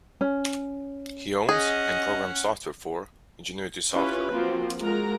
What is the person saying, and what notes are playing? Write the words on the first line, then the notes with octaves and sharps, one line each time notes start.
He owns, and programs software for, Ingenuity Software.
C#4
C#4 G#4 D#5 F#5
C#4 E4 F4 G4 B4
F3 A#3 C4 F#4
G#3 F4 F#4 A#4 A#5